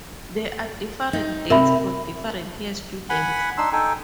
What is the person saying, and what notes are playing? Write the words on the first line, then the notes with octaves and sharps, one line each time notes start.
There are different dates for different year students.
D#4
C3 A#4 E5 B5
F#5 G#5 B5
D4 D#4 C6 E6
D#4 A4 G5 G#5